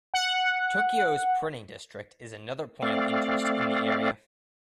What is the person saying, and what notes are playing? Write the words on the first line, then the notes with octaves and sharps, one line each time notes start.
Tokyo's printing district is another point of interest in the area.
F#5
A3 C4 D5 F5